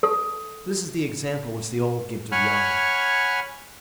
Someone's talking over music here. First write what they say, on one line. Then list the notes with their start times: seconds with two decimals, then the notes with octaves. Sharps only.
This is the example which the old give to the young.
0.03 A4
2.32 C#5 F#5 G#5 B5 C#6 F6